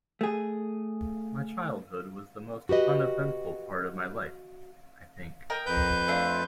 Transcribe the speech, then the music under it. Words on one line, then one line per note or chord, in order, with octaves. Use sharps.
My childhood was the most uneventful part of my life, I think.
A3 G#4
F#4 G4 B4 D#5
A#4 D#5 G5
F2 B4 G6
A3 D4 F4